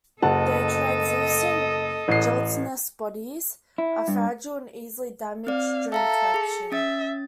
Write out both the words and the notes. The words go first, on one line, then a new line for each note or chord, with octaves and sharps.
Their translucent, gelatinous bodies are fragile and easily damaged during collection.
F#1 A4 D#5 F#5 A5
A1 C7
E4
G2
C4 D5 F5
A4 E5 F5 A#5
G#4 C#7
C#4 E5 A6